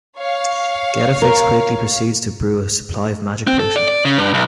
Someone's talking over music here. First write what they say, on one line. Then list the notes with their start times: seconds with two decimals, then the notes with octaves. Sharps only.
Getafix quickly proceeds to brew a supply of magic potion.
0.17 C#5 F5
1.22 A#4
3.47 C4
3.60 A4
3.76 D5
3.88 D5
4.05 C#3
4.18 G2
4.34 B1